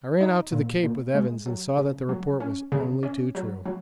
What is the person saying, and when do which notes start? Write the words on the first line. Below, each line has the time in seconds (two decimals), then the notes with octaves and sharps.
I ran out to the Cape with Evans and saw that the report was only too true.
0.21 D#4
0.52 A#2
0.83 A#2
1.14 G#3
1.46 F#3
1.77 C#3
2.09 F#3
2.40 C#4
2.72 C#3
3.03 C#4
3.35 F#3
3.66 F#3